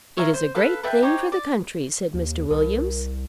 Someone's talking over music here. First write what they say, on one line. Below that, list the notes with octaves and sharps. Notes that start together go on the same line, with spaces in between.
"It is a great thing for the country," said Mr. Williams.
C#5 E5 F5 A#5
C5
A4 B4 F5
A4 B4 E5 G5
D#4 G4 C5 C#5
D5
D#2
C2 A#4